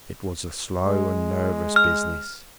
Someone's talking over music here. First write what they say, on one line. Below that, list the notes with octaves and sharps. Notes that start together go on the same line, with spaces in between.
It was a slow and nervous business.
G#3
F6